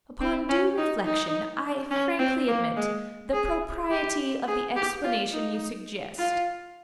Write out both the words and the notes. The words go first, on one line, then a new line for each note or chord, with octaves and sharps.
Upon due reflection I frankly admit the propriety of the explanation you suggest.
C4
C#4
D#4
D#4
C#4
C4
A#3
G#3
G#4
G4
G#4
G4
F4
D#4
F4